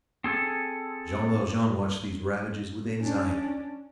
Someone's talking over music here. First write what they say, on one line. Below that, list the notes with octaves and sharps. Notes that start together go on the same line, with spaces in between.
Jean Valjean watched these ravages with anxiety.
C4 G#4 A4
C#4 D4